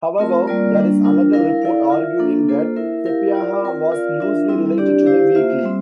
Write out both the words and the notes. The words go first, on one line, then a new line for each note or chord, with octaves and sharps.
However, there is another report, arguing that Sapieha was loosely related to the weekly.
A3 C4 F4 A#4
G3 A#3 F4 A#4 D5
G3 A#3 D4
D4 F4 A#4
E4 A#4 F5
E4 A4 D5 F5
F4 A#4 E5
A#3 D4 A4
A#3 F4 A4 C5
E4 A#4 E5
E4 G4 A#4 F5
F4 A#4 D5
C4 F4 A#4
F4 A#4 D5 F5
D4 F4 A#4 E5
G3 C4 E4 A4
D4 G4 D5
E4 G4 C5 F5
A#3 F4 C5 E5
G3 C4